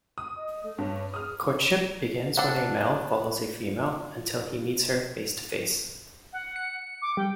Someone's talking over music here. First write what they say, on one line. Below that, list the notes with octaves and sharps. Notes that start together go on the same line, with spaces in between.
Courtship begins when a male follows a female until he meets her face-to-face.
D#6
D#5
A3
G2 C#4
G#4 D#6 F6
D4 A4 F#5
F#5
C#7
D6
G3 G5